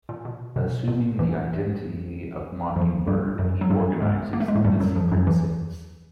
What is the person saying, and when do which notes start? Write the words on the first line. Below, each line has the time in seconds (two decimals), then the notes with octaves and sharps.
Assuming the identity Mockingbird, he organizes the Secret Six.
0.09 A#2
0.25 B2
0.56 B2
0.88 A#2
1.19 E2 E3
2.76 F2 F3
3.07 G2 G3
3.39 F#2 F#3
3.61 F#3
3.70 G2 G3
4.02 G#2 G#3
4.33 A#3
4.40 A3
4.48 G#3
4.55 A2 A3
4.65 G2 G3
4.80 F#2 F#3
4.96 F2 F3
5.12 F#2 F#3
5.27 E2 E3